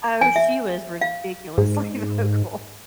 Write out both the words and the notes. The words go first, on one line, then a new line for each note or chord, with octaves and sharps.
Oh, she was ridiculously vocal,
G#5
E5
F5
G#2